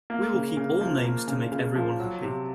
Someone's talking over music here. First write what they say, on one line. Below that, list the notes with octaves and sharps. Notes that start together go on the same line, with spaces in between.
We will keep all names to make everyone happy.
A#3
C#3
C#3
F3
A#3
C#3
C#3
F3
F#3
C3